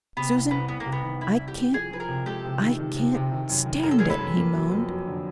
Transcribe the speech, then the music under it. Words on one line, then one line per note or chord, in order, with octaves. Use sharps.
"Susan, I can't! I can't--stand it," he moaned.
C3 B3
C2
C2 B3
C2 B3
A#3
C3
B3
D#3
C2 E4
C2
G4
C2
F3 G#4
F3 B4
G#4 A#4
C3
G#3 G4 A4
C3
D#3
D#3
C3
C3
D#3
F#2
D#3
F#2 A#4
A4
G#3 G#4 A#4
A4 B4
F#2
A#3
F#3
F2
F#3
D3